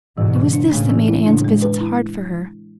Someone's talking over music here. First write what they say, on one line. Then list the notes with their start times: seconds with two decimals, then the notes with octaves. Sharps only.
It was this that made Anne's visits hard for her.
0.17 G#2 B2 E3
0.36 C#3
0.53 D4
0.72 A2 C#3 A3
0.89 E3
1.08 E4
1.26 A2 C#3 D4
1.44 G#3
1.62 B4
1.81 E4